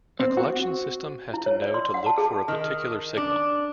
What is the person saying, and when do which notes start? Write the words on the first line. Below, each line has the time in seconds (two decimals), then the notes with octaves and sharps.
A collection system has to know to look for a particular signal.
0.20 C4
0.37 F#4
1.34 E4
1.46 C#5
1.62 D5
1.74 C6
1.94 F#5
2.06 A5
2.18 G#4
2.48 D#3
3.17 D4